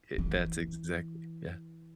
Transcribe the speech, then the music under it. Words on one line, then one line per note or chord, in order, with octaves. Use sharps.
It that's exactly Yeah.
E3